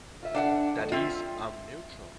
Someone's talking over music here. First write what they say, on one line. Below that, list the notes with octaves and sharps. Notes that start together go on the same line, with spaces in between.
That is, I'm neutral.
F4 E5
D3 D4 D5 F5 F#5
D#3 F3 A3
C4 F4 E5